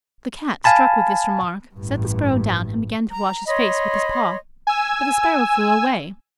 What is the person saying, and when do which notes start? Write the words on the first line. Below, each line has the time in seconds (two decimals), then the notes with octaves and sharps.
The Cat, struck with this remark, set the sparrow down, and began to wash his face with his paw, but the sparrow flew away.
0.64 F5 G#5 A5 B5
1.75 A1 G2
3.09 A#5
3.47 C#5 D#5 B5 C6
4.67 G#5 E6